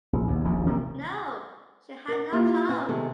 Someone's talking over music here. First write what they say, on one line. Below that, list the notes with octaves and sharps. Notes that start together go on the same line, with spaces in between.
No; she had not come!
A#1
D#2 B2
D#1 A#1 D#2 F3
C3 D#3 F#3 A#3
A#4 F#5
A#3 E4 F4 G4
C4 E4 B4 C5 G#5
C3 D#3 G#3 B3 G4 A4